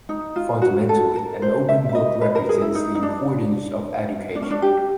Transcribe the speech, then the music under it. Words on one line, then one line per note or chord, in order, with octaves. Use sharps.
Fundamentally, an open book represents the importance of education.
D#4
F4
F#4
A4
A#4
C5
E5
E5
D#5
B4
A#4
G#4
E4
D#4
D#4
D4
D4
C#4
D4
G4